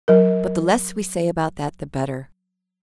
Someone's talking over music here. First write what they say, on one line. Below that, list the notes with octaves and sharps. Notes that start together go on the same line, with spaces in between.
But the less we say about that the better.
F#3 A#4